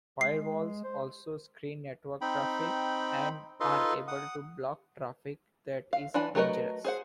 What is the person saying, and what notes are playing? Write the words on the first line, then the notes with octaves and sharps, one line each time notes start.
Firewalls also screen network traffic and are able to block traffic that is dangerous.
G#3 C7
C5
C4 D#4 G5 B5
D#4 F4 A4 B4 D#5 C6
F#5 D#6
F5
E3 D4 G#5 B5
F#3 A3 A#4 B4 D#5
G#4 C5 F#5